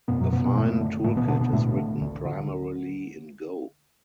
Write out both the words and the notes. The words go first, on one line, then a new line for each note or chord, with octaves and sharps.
The Fyne toolkit is written primarily in Go.
F#2 B2 B3
F#2 F#3
F#2 B2 B3
B2 B3
F#2 A2 A3
D3
A2 D3 A3
B2 B3
D2 D3 D4
B2 B3
D2 A2 A3
D3
D2
D3